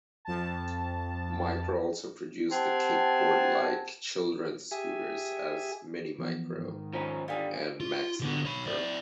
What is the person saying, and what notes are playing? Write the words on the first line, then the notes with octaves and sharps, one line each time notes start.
Micro also produced the Kickboard-like children's scooters as "Mini Micro" and "Maxi Micro".
F2 A5
C4 G4 F#5 G#5 A5
G4 G#4 E5 G#5
E3 F3 B3
G#2 D#3 G#3
F3 C#4 D#4 A#5 B5
D3 G3 F4 G#4
F4
D3 B3
C#5 B5
E4 D5